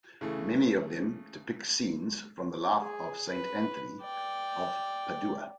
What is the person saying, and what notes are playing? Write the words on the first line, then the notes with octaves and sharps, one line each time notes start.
Many of them depict scenes from the life of Saint Anthony of Padua.
C#3 E3 A3
G#4
B4
D5 G5